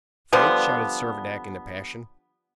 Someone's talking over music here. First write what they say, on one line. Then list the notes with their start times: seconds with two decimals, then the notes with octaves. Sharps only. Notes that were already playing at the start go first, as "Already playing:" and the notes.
"France!" shouted Servadac in a passion.
0.33 D3 F3 G3 B3